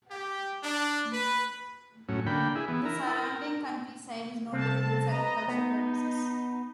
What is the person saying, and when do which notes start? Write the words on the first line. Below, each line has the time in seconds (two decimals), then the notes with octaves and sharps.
The surrounding countryside is noted for its agricultural purposes.
0.11 G4
0.62 D4
1.12 B4
2.09 A2 F#3 C#4
2.26 D3 A#3 G5 B5
2.55 E4 G#4
2.68 E3 B3
2.85 E4 A#4
3.16 A#4
4.53 C2 C4 A4 A5
5.06 B4 D#5 A#5
5.48 B3 D#4